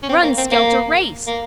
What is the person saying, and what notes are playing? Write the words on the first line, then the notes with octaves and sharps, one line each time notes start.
Run, skelter, race.
C#4
C4
A#3
C4
A#3
A#3